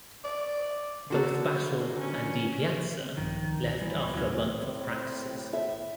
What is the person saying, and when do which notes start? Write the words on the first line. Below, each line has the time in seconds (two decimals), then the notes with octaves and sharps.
Both Battle and DiPiazza left after a month of practices.
0.24 D5
1.10 D3 A#3 F#4 A4
1.99 C#4
3.00 B3 C4
3.17 A#1 G2 D#3 F3
3.49 C2
3.81 E3 G3 B3
4.14 C#2 F#3 C#4
4.47 A2 C4
5.53 E5